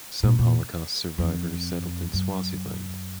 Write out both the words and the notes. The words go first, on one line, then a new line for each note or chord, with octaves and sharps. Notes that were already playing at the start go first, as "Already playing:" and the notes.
Some Holocaust survivors settled in Swaziland.
A#2
A#2
F2
F#2